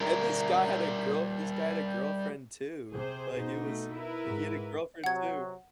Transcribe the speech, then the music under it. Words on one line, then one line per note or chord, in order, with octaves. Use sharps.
And this guy had a girl this guy had a girlfriend too. Like, it was like, he had a girlfriend too.
G3 A#4
C3 G#4 C5
B2 D#4
A3
E4 A#4 B4
G#2
C3 F#3 F#5 G#6